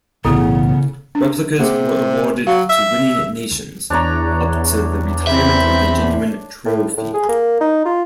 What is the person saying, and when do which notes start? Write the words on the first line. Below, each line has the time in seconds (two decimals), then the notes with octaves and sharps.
Replicas were awarded to winning nations up to the retirement of the genuine trophy.
0.25 B1 A2 C#3 E3 B3 E4 A4
1.15 D4
1.59 C3 A#3 G#4
2.47 F#3 F5
2.70 E5
3.90 E2 D4 C#5 A#5
5.27 C4 E5 B5
6.66 A2
6.98 A2
7.14 G#4
7.29 A#3
7.61 D#4
7.86 F4